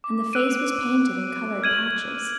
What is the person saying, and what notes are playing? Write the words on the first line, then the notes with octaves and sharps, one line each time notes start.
And the face was painted in coloured patches.
D6
E6 F#6 D7 D#7
F6 G#6 D#7 F#7